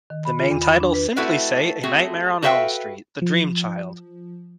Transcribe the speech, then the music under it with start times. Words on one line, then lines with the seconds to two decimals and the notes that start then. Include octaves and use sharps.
The main titles simply say "A Nightmare on Elm Street: The Dream Child".
0.10 D#3
0.25 B5
0.39 F4
0.51 E2
0.62 B5
0.80 D4
0.94 B4
1.16 A3 C4 E4 F#4 B4 D5
1.83 A3 C4 F#4 G#4
2.42 F#4 A4 B4 E5 F5 G5
3.22 F3